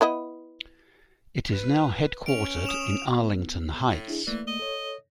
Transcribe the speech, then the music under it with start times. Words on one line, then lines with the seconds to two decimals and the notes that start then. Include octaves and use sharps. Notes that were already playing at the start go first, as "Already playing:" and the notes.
It is now headquartered in Arlington Heights.
0.01 B3 E4 D#5
1.52 B4
2.26 C#4 D7 F7
2.64 D#6 E7 F7
3.15 B3
3.89 A2
4.08 D4 E4 G#4
4.27 E3 A3 A#3 D5
4.48 D#5
4.59 A4 C#5